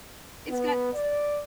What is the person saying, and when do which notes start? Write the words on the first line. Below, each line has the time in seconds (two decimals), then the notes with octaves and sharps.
it's got s
0.49 B3
0.93 D5